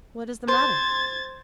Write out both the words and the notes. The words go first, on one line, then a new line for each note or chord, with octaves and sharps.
'What is the matter?'
C5 G#6 A6